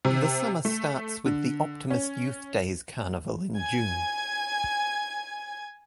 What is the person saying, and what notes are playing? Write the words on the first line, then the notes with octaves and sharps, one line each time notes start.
The summer starts with the Optimist Youth Days Carnival in June.
C3
A3
D3
C#4
G#5 G#6